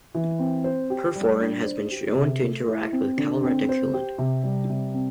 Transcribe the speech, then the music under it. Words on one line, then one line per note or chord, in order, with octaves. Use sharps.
Perforin has been shown to interact with calreticulin.
E3
C4
C5
G4
G3
D4
C5
G4
C3
A3
E4
C4
D3
C4
C5
G4
C3
G3
C3
C4